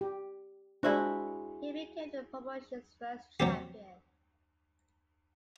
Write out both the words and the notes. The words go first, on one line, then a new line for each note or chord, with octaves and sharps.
He became the promotion's first champion.
G4
G#3 D4 E4 F#4 C5
F#3 C4 G4